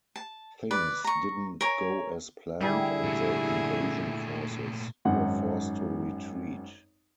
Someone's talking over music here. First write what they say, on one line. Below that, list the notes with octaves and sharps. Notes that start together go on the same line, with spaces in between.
Things didn't go as planned and the invasion forces were forced to retreat.
A5
B4 D5
A#5 C#6
A#4 C#5 G#5
D3 G3 E4 G#4
A#2 A3
G#1 F#2 D#4 F#5